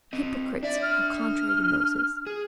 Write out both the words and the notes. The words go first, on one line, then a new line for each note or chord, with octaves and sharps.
Hypocrites are contrary to Moses.
C4 D#5
D4 D5 E5
F6
G#4